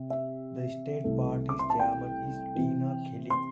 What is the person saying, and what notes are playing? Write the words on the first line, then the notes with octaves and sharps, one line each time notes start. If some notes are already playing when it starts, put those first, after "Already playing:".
The state party's chairman is Tina Kelly.
Already playing: C3
E5
C2 C3 A3
D6
C6
A5
G5
C3 E3 C4 E4
C6